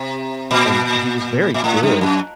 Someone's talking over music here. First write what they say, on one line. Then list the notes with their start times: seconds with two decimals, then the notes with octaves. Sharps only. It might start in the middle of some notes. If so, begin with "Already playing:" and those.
and he was very good,
Already playing: C3
0.51 A#2
1.54 A#2
1.64 A2
1.83 G2
2.01 F#2